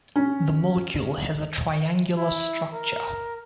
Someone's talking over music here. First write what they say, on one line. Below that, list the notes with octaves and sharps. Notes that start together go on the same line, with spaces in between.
The molecule has a triangular structure.
C#4
E4
A#4